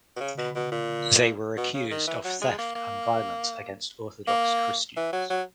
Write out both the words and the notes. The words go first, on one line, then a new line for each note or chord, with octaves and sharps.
They were accused of theft and violence against orthodox Christians.
B2
C#3
B2
B2
A#2
B2
C#3
D#3
E3
F#3
G#3
A#3
A#3
A#3
E3
F#3
F#3